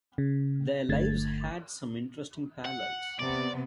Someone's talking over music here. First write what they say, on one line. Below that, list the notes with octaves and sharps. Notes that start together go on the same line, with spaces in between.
Their lives had some interesting parallels.
C#3
G1 D3 A3 G#6 A6
F#5
C3 B3 D5